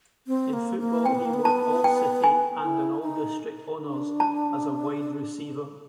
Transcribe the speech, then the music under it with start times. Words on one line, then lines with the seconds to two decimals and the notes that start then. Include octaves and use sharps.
In football, he won All-City and an All-District honors as a wide receiver.
0.27 C4
0.53 A#3
0.79 A#3
1.05 C4 G5
1.15 B3
1.25 A#3
1.34 B3
1.45 A5
1.84 G5
2.24 G#5
2.63 E4
3.03 D#4
3.82 D4
4.20 A5